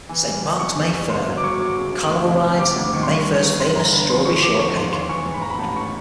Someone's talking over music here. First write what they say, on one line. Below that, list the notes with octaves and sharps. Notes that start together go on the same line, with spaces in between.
Saint Mark's May Fair: carnival rides and May Fair's famous strawberry shortcake.
E3
G3
E3
E3 C#6
E2
C#6
G3
G1 C6
F#3
D6
F#3 C#6
F#3 D6
C#3
C#3
D2
C3
C3
C3 D6
D2
D6
D#3 C#6
C6
G2 C#6
G1
G1
G1 C6
G1 A#5
D3 B5
F3 C6
C6
C#3 C#6
E1 D6
F3 C#6
E1 C6
D#2 C6
E3 C#6
G#2
B5
E3 A#5
B5
A1 A5
C#6